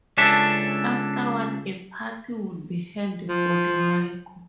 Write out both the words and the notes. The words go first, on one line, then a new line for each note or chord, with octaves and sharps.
Afterward, a party would be held for the "maiko".
C#2 C#4 D4 A4 E5
F3